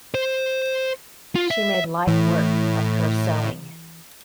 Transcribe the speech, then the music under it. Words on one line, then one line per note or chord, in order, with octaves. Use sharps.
She made light work of her sewing.
C5
F4
E5
A2 E3